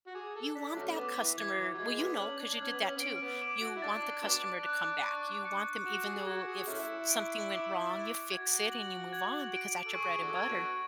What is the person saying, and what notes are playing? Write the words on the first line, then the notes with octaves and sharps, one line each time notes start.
you want that customer well, you know, 'cause you did that too you want the customer to come back, you want them even though if something went wrong, you fix it and you move on because that's your bread and butter.
F#4
G#4 D6
A4
D4 B6
F#3 A3 C#4
A3
B3 D6
E3
E3 G#6
E3
F#3
E3 G#3 G#6
E3 G#3 B3
D4
C#4 F#7
D4
C#4 G#6
B3
C#4
B3
C#4 D7
C#4
B3
D6
F#4
E4
D4 A6
D4
F#3 B3 D4 D6
F#6
C#6
C#7
F#4 E7
G#4
F#4 G#6
G#4
F#4
A3 C#4 E4 D6
D7
D6
A6
F#4 G#6
F#7
G#6
D7
A4
G#4 C#6
G#4
D4 F#4 A4
G#6
B3 D4 F#4